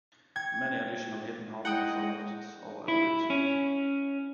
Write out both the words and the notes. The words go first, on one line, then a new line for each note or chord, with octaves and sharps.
Many additional hidden harmonies are noted or alluded to.
G5 G#6
G#3 E4 F#5 G5 D#6
E4
C#4